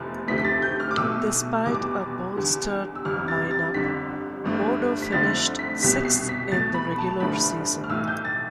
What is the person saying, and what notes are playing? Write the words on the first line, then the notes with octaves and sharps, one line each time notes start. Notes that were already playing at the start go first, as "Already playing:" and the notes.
Despite a bolstered lineup, Modo finished sixth in the regular season.
Already playing: F1 E2 C3 F3 A3
D2 C3 F3 A3 B6
B6
A6
G6
F6
D6
B1 B2 A3 E6
F1 E2 B2 G3 D6
E2 D3 G3
E6
G1 F2 C3 G3 F6
A6
A6
G1 F2 D3 G3 B6
G1 G2 F3 A3
B6
F2 D3 F3 A3 A6
B6
C2 B2 G3 B6
C7
B6
C2 B2 A3 A6
B5
A5
A1 G2 D3 F3 A3 B5
F6
B1 A2 E3 A3 E6
G6
A6